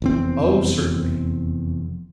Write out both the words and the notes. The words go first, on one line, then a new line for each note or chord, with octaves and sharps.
'Oh, certainly.
F1 E2 C4